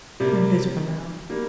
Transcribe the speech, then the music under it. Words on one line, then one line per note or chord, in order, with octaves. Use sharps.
Drink this for now.
C3 G3 A#3
D#3 G3 A#3